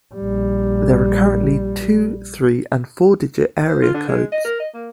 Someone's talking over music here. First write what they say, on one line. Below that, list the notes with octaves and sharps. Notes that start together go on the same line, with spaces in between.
There are currently two-, three-, and four-digit area codes.
A#1 G3
C5
F4
D3
G#3
D#5
A#4
D#5
A#3